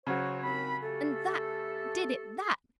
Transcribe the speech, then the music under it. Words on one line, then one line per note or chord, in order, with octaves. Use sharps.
And THAT did it--that!
C#3 F#3 F#4 C5 C#5
D#2 C4 B5
A3 G4 A4